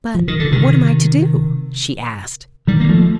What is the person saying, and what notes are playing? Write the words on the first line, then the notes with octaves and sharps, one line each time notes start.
"But what am I to do?" she asked.
F3
D#3
D3
C3 D#3
D#3 G3
A#3
F3 A3